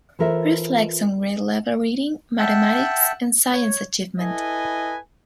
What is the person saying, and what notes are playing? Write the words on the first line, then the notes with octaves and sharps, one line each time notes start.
Reflects on grade level reading, mathematics and science achievement.
E3 F4 A4 A#4 C5 E5
E5 F#5 G5 A5 F#6
C#5
E4 A4 B4 D#5 G#5